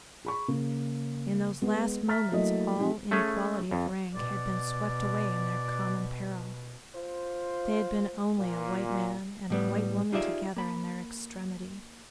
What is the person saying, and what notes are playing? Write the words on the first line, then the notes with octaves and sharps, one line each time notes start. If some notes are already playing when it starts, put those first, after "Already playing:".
In those last moments all inequality of rank had been swept away in their common peril--they had been only a white man and a white woman together in their extremity.
G#4 B5 C#6
C#3 A#3
G#3 B3
E5 A#5 F6 A6 B6
F#3 A3 A#3 E4 D#5
F3 C4 D#4 G4 G#4
A3 C#4 G#4 A4
F2
B2 D5
F4 C5
A#2
A2 G3 B3
D#4 F4 G4 G#4 D5 E5
A#3 B5